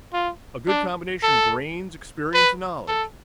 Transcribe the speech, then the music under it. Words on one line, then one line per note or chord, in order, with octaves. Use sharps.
A good combination of brains, experience and knowledge.
F4
D4
A4
B4
A4